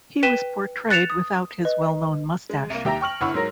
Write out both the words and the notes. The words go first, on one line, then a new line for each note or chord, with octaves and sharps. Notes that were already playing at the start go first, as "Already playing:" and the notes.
He was portrayed without his well-known mustache.
B4 G5 B6 D#7 E7 G7
F#6 A6 C#7 E7 F7
D#6
B4 D#5
G#3
C2 A#3
D#2 G4 E5 A#5 A#6
G5 C#6 F6 F#7
G1 E4 F#5 B5 C#6 E6
G#2 F#3 A#4 A#6